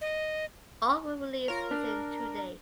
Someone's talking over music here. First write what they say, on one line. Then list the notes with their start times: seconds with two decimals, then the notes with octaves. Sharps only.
All were released within two days.
0.01 D#5
1.48 F4 A#4 C#5
1.71 D4